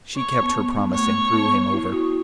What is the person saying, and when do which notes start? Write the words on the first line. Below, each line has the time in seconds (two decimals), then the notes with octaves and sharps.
She kept her promise and threw him over.
0.17 C#5
0.43 B3
0.69 B3
0.95 A3 C#5
1.33 B3
1.73 E4
1.92 F#4